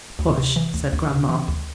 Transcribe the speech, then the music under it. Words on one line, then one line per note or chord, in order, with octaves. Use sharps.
"Hush!" said grandma.
D2
C3
E3
D2
D2
C3
E3
D2